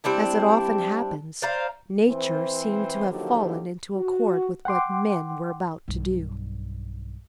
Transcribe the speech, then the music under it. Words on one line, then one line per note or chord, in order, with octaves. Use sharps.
As it often happens, nature seemed to have fallen into accord with what men were about to do.
G3 C4 D4 E4
C5 D5 F5 A#5
E3 C4 C5
D3 D#3 F3 F#3 A#3 G4
F#4
F#5 G5 C6 D6
B1 G2